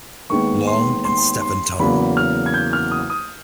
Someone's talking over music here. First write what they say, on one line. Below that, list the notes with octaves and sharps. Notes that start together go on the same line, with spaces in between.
Long and Stephen Tunnell.
D#2 D#3 G#3 B3 C#6
C6
C6
C6
E2 C#3 F#3 A#3 B5
F6
G#6
G6
F6
D#6
D#6